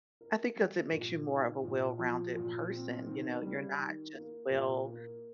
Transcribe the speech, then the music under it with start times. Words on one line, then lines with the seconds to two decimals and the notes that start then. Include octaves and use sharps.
I think 'cause it makes you more of a well-rounded person, you know? You're not just well
0.21 A#4
0.56 G3
0.92 A#2
1.28 D#4
1.64 A#2
1.99 F3
2.36 A#2
2.70 C4
3.06 D#3
3.42 G3
3.79 D#3
4.14 A#3
4.50 A#2
4.86 A#3